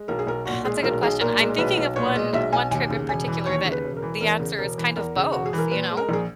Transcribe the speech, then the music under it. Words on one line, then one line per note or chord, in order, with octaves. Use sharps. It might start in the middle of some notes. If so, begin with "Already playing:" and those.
that's a good question. I'm thinking of one one trip in particular that the answer is kind of both, you know,
Already playing: G#3
B1 A#4
G#4
B1 A#4
A#2 F#4
G#3 G#4
B1 A#4
B1 G#4
A#2 A#4
G#3
B1 B4
B1
A#2 C#5
G#3 D#5
B1 E5
B1 G#5
D#2 G#5
C#3
E1 G#5
E3
D#2 C#5
C#3
B4
E1
A#4
E3
E2 A#4
C#3
E1 A#4
E3
E2 A#4
C#3
E1 F#4
G#4
E3 A#4
A#2 B4
G#3
A#4
A#1 G#4